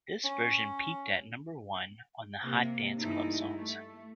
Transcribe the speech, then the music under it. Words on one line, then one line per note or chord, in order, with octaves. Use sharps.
This version peaked at number-one on the Hot Dance Club Songs.
C#4
C3 A#3
G2 E3 G#3 A3 D#4 E4
A3